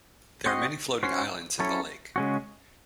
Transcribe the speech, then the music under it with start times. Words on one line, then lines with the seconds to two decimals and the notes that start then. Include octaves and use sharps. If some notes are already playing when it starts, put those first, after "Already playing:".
There are many floating islands in the lake.
0.46 C4 F#4 C5 D#5
1.03 C#4 F#4 C5
1.59 F#3 C#4 E4 A4 C#5
2.16 C#3 G#3 C#4 F#4